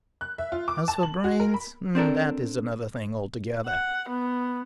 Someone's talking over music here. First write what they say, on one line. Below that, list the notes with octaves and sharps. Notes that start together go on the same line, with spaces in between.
As for brains, that is another thing altogether.
F#6
E5
F4
D6
A5
F#7
F#4
A#4
B5
C4 D4 A4 A#4
F#5
B3